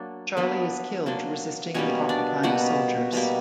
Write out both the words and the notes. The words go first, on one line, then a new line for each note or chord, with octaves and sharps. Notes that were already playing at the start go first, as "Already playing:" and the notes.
Charlie is killed resisting the occupying soldiers.
Already playing: F#3 A#3 D4
F#3 A#3 B3 D4 B4
F#3 A#3 D4
B2 G3 A#3 C#4 C#5
D4 D5
B2 G3 A#3 F#4 F#5
B2 G3 A#3